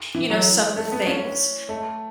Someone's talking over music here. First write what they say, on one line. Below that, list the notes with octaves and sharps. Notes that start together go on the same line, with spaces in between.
you know, some of the things
E3
F#3
A3
B3
C#4
A3